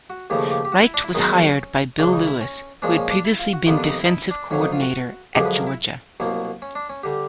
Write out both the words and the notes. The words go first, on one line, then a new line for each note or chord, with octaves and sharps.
Richt was hired by Bill Lewis, who had previously been defensive coordinator at Georgia.
F#4
D#2 C#3 F3 A3 G4
G4
G4
F#4
E4
D4
E4
F#2 D#3 G#3 B3 D#4
C#4
C#2 C#3 E3 D4
D#4
E4
C#4
A#2 F3 G#3 C#4 D4
C#4
D4
E4
F4
F#4
F2 C3 D#3 G3 B3 F4
D4
D#4
E4
D#4
E4
D4
F2 D3 F#3 C#4
D#4
F4
F#4
F#2 D3 F3 G#3 G4
B4
A#4
E4
C2 B2 F#3 A#3
C#4
D4
C#4
D3 G3 G4